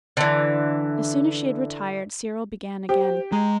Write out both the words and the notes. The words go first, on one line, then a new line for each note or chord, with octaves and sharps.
As soon as she had retired, Cyril began again.
D3 E3
G4 C5
G#3 A#5